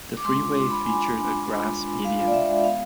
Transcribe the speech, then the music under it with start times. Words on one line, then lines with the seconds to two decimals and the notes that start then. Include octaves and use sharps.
The freeway featured a grass median.
0.17 D6
0.24 G#3 C6
0.40 F4 D6
0.55 D4 D6
0.70 G#3 B5
0.84 G#3 G#5
1.00 F4
1.15 D4
1.29 G#3
1.44 G#3
1.59 F4
1.74 D4
1.89 G#3
2.04 G#3 F5
2.19 F4
2.27 D5
2.34 D4 E5
2.49 G#3
2.64 B3 F5